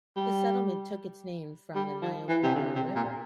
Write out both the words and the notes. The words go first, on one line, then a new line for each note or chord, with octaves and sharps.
The settlement took its name from the Niobrara River.
G3
G3
F3
E3
C3
D3
C3
A#2